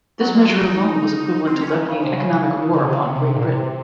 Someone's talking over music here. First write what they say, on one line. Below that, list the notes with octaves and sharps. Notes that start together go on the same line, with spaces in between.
This measure alone "was equivalent to levying economic war" upon Great Britain.
F#3
G#3
F#4
D#4
C4
C#4
D#3
C#3
C3
C#3
D#3
C3
C#3
C3
C3
C3
A#2
C3